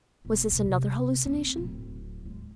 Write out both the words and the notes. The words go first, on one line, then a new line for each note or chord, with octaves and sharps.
Was this another hallucination?
E1
C3
C3
C4
D1
G#3